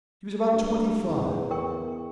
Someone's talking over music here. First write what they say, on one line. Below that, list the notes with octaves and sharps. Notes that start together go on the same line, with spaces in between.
He was about twenty-five.
G2
E2
A#4 G5 C#6